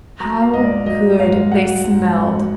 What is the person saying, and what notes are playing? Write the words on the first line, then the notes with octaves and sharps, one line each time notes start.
How good they smelled!
F#3 A#5
F5
G#2 D#5
D5
F#3 D#5
G#2 F5
F#3 F#5
G#2
F#3